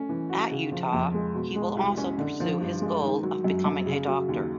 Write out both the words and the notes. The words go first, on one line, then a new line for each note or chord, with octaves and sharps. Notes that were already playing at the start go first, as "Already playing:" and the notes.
At Utah, he will also pursue his goal of becoming a doctor.
Already playing: A3 C#4
E3
F#4
C#3
F3
F2
G#3
B2
G#3
C2
C#4
D3
F3
G2
G#3
D#3
F#3
F#2
F#2
C#3
F#3
D#2